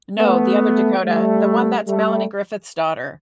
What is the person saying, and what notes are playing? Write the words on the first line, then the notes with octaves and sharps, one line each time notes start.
no, the other Dakota. The one that's Melanie Griffith's daughter.
A3 B3
G3 A3
G3 A3